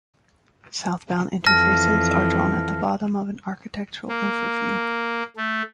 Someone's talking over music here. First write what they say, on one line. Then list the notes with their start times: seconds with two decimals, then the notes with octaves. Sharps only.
Southbound interfaces are drawn at the bottom of an architectural overview.
1.46 F2 E3 A5 F6 A#6
4.08 A#3
5.37 A3